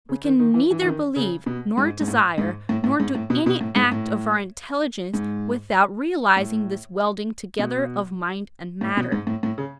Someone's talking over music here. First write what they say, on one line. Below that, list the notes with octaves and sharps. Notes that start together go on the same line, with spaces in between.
We can neither believe, nor desire, nor do any act of our intelligence without realising this welding together of mind and matter.
C#3
D#3
D#3
E3
E3
E3
D#3
C#3
B2
G#2
G#2
A2
G#2
A2
A2
G#2
A2
B2
B2
A2
G#2
A2
G#2
A2
B2
A2
B2
G#2
A2
A2
C#3